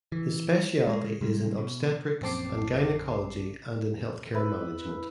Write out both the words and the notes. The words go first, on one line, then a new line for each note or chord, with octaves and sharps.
His specialty is in obstetrics and gynaecology and in healthcare management.
E3
G#3
C3 G3 G#3
B2
A#1 F#2 C4 A5 D6 C7
E4 B4